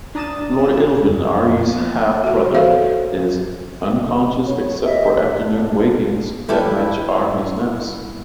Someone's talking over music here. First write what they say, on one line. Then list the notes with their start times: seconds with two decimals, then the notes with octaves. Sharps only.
Lord Illvin, Arhys's half-brother, is unconscious except for afternoon wakings that match Arhys' naps.
0.15 D4 A#5 D#6 A6 E7
1.08 F2
1.49 F3 B3
2.24 F#4 E5
2.54 F#4 A4 C5 C#5 E5 F5
4.46 C#5
4.84 G4 D#5 E5
5.31 D4
6.49 G3 E4 G4 A4 B4